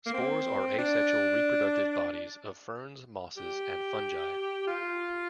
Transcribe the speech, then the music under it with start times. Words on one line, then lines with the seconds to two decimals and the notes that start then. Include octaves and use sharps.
Spores are asexual reproductive bodies of ferns, mosses and fungi.
0.06 A#3
0.14 C4
0.78 D4
3.37 G4
4.67 F4